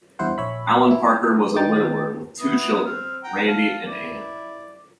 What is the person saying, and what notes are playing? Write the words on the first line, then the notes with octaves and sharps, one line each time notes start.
Alan Parker was a widower with two children, Randy and Ann.
E2 G2 E4 C5 F#5
A#1 C#5 E5 B5
E4
D#3 D#4 G5 A6
B3 E4 D#6
C4 F6
F#5 G5 A#5
F5 A5
E4 D5